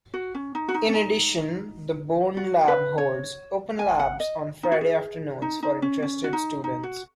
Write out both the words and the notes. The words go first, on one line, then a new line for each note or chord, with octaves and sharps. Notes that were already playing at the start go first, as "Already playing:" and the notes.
In addition, the Bourn Lab holds "Open Labs" on Friday afternoons for interested students.
F#4
C#4
D#4
F#4
D#4
C#4
D#4
F#4
B4
C#5
G#5
F#5
D#5
D#4
F#4
G#4
D#4
D#4
C#4
C#4
F#4
D#4
D#4
F#4